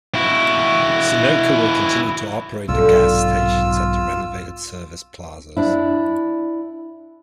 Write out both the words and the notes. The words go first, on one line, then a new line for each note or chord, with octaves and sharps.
Sunoco will continue to operate the gas stations at the renovated service plazas.
E4 F#4
B1 G#2 C3 A3 D4 F4 E6
D4 E4